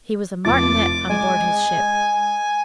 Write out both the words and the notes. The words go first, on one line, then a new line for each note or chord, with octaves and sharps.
He was a Martinet on board his ship.
F1 F3 D6 A6
G#3 G#5